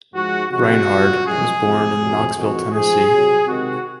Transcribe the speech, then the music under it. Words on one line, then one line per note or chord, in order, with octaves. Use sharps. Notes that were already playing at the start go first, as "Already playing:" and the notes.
Reinhardt was born in Knoxville, Tennessee.
G#2 F3 G#3 F#4
C3 F3 G#3 F#4
F2 C3 F#3
F#2 F3 G#3 G#4
F2 C3 F3 G#3
F2 C3 F#3
F2 D#3 G#3 F#4
G#2 F3 G#3 G#4
C3 F#3
C3 D#3 G#3 F#4